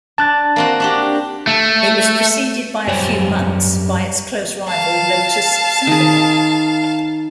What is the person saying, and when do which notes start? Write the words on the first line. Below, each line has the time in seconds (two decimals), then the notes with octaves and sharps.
It was preceded by a few months by its close rival Lotus Symphony.
0.18 D4 A5 F#6 A6
0.56 A#3 C4 F#4
0.80 D4 F#4 G4
1.47 A3
2.87 F#2 G3 G4 C5 C#5 G#5
4.68 F5 A5
5.87 D#3 G#4